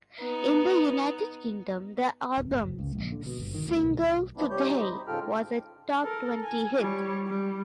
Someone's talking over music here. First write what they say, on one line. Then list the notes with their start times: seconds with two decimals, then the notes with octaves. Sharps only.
In the United Kingdom, the album's single "Today" was a top-twenty hit.
0.20 B3 D#4
2.37 D1
2.51 G1
2.63 F#1
2.79 C#2
2.95 A#1
3.12 D3
3.26 B2
3.39 G1
3.54 D#3
3.67 D2
3.83 B1
4.37 F3 B3 C4 D4 E4
4.50 C3 G3 G4 C#5 G6
4.67 F#3 D#4
4.81 C5 D#5 B5
4.93 B5
5.07 G#2 C#3 F4 A4 G5 F6
6.03 A4 A#4
6.43 G#5
6.80 G3 C#5
7.27 G3